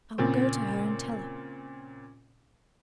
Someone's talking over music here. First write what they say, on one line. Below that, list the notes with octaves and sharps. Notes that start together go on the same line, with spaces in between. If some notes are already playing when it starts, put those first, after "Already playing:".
'I will go to her, and tell her.
A#2 C#3 C4